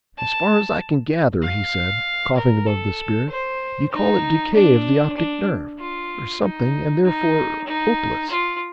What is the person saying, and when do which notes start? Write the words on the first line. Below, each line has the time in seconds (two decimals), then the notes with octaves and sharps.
'As far as I can gather,' he said, coughing above the spirit, 'you call it decay of the optic nerve, or something, and therefore hopeless.
0.18 A5
1.43 F5
2.36 A#4
2.67 A4
3.29 C5
3.92 D#4
4.54 D4
5.17 D4
5.79 F4
6.42 D#4
7.04 D#4
7.67 D#4
8.29 F4